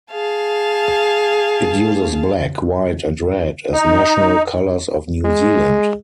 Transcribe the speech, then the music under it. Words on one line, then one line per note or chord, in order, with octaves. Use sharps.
It uses black, white and red as national colours of New Zealand.
G#4 F5 A5
D#4
G#3